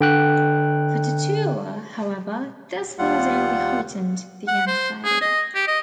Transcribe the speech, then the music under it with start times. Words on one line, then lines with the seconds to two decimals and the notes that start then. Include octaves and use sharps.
For "Tutuila", however, this news only heightened the anxiety.
0.01 D3 G5 F#6
2.98 D#2 G3 F4 F#5
4.48 F#5
4.67 C5
5.04 G#4
5.21 D#5
5.55 G4
5.68 D#5